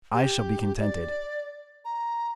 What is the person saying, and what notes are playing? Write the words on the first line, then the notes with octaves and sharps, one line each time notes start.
I shall be contented.
G4
D5
A#5